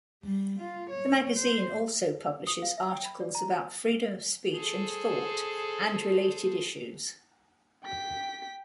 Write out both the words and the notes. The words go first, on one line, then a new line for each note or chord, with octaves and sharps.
The magazine also publishes articles about freedom of speech and thought, and related issues.
G3
F4
C#5
C5
D#6
F5
E5
G5
B5
D5
A#5
G#4 A4 C5
G5 B6